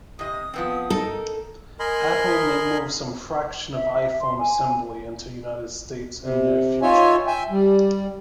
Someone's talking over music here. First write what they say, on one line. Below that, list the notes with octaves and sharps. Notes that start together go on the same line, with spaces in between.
Apple may move some fraction of iPhone assembly into United States in near future.
C3 D#5 D#6
F3 B3 C4
D#4 A4 A#4
A#4 D#5 G#5 B5 C6
E5
C6
G#5
C3
D#4 F4 C#5 E5 G#5
E5 G5 G#5
G3